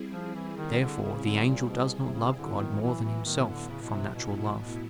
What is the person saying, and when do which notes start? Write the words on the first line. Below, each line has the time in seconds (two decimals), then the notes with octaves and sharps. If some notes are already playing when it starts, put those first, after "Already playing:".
Therefore the angel does not love God more than himself from natural love.
Already playing: G3 C4 E4 G#4
0.12 F3
0.35 E3
0.57 D#3
0.79 D3
1.02 C#3
1.24 D3
1.46 A#2
1.69 B2
2.07 C3
2.13 C#3
2.35 A2 D3 F#3 B3 E4
2.57 D#3
2.81 E3
3.03 E3
3.25 D#3
3.48 D3
3.69 C#3
3.82 B2
3.91 C3
4.14 B2
4.36 B2
4.59 B2